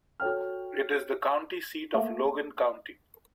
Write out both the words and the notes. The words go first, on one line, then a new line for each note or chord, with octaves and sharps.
It is the county seat of Logan County.
F#4 A4 C#5 G5 F6
A3 A#3